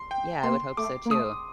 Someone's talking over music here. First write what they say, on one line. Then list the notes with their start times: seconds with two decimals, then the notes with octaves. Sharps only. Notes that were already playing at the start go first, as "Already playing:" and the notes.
Yeah, I would hope so too.
Already playing: C6
0.11 G5
0.43 A#3 C6
0.77 A3 D6
1.06 A#3
1.11 A3 D#6